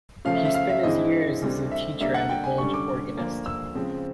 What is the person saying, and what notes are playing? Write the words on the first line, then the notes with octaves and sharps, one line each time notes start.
He spent his early years as a teacher and a village organist.
C#3 F3 A3 F5
E5
E5
F5
E5
G2 E3 G#3 C4 E4 D#5
D2 D3 G3 C4
E5
D3 G3 A#3 D4 E5
F#5
G5
G#5
F#2 D3 G3 C#6
D6
D2 D3 F3 A#3 D4
E6
C#3 F3 G#3 C4